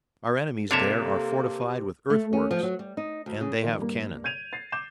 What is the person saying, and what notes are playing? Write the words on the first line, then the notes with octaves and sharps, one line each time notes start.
Our enemies there are fortified with earthworks and they have cannon.
C3 A#3 D4 A4 C#5 E5
A3
C#4
F3
F#3
G3
D#4
D2
C#3
A#2 D#3 F3
G2 A#3
G6 G#6 D#7 F7
A6 C7
D6 G6 E7